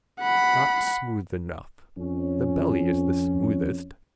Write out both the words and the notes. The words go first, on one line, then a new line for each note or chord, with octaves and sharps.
Not smooth enough. The belly is the smoothest.
F#5 B5
F2 C#4